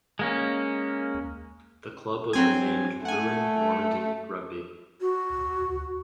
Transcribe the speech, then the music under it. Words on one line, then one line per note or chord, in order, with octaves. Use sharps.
The club was renamed Rouen Normandie Rugby.
G#3 A#3 C#4
F#3 C4 G#5
A3 F#5 G#5
F#4